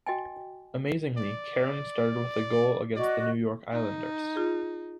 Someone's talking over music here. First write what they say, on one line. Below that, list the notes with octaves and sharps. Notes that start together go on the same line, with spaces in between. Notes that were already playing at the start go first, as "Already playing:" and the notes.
Amazingly, Cairns started with a goal against the New York Islanders.
F#4 D#5 G5 G#5
D5
F#4 D5 D#5
D#4
F4 G#4